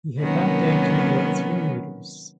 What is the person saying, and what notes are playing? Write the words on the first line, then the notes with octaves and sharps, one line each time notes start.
He had that day turned out three readers.
C3 D#3 F#3 A#3 B3 C#4